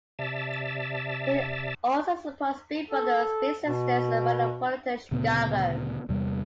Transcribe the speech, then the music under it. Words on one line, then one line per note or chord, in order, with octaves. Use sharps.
He also supports Big Brothers Big Sisters of Metropolitan Chicago.
C3 D5 E5 A5
A4
B2
D2 A#2 C#3 B3
E2 C3 G3